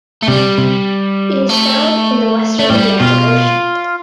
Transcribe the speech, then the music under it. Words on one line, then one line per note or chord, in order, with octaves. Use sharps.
It is found in the western Atlantic Ocean.
A3
C3 G3
C3
A3
A3
A2 G3
B2 F4